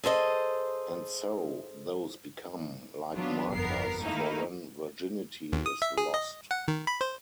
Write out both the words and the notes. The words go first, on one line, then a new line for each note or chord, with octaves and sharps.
And so those become, like markers, for when virginity is lost.
G#4 A4 C5 D#5
F#3 B3 D4 F4
G1 F2 B3 A#4 C7
D#3 A3 A#3 D#4 E4
D#2
D#6
E5
G#4
D#5
F#5
D#3
B5
C5